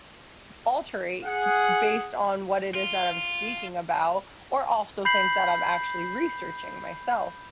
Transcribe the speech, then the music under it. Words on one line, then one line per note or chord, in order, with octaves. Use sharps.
d alterate b based on what it is that I'm speaking about, or also, things that I'm actually researching myself,
G#4 F#5
F4
B5 G6 B6 C7 F#7